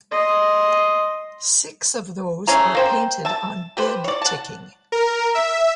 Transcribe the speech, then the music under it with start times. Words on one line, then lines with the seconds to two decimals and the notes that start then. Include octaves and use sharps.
Six of those are painted on bed ticking.
0.11 D#5 C6
2.47 A3 C#4 G#4 A#5
2.75 A#3 C5 G5
3.25 E5 A5
3.77 G4 B4 C5
4.04 C#5 D5
4.22 F#5 A5
4.92 A#4
5.35 E5